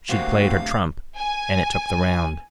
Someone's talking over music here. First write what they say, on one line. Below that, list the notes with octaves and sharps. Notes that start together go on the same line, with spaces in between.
She'd played her trump, and it took the round.
D2 C3 A#3 C4 F#4 F5
G#5